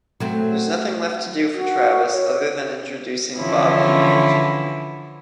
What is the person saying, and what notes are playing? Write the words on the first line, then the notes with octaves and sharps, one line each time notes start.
There’s nothing left to do for Travis other than introducing Bobby and Angie.
F#3 A3 C4
F#4
C#5
D3 E3 F3 C#4 E4